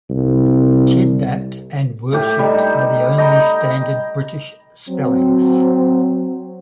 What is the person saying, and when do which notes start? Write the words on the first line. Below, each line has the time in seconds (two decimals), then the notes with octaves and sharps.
"Kidnapped" and "worshipped" are the only standard British spellings.
0.10 C2
2.13 A2 G4
2.39 G3 D#4
3.18 D#5 G5 A#5 B5
4.89 F#3 C4